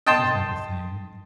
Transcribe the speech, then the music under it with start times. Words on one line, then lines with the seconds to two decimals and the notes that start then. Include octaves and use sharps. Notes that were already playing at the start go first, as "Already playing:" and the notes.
It's just not the same.
0.07 D#5 G5 A5 C6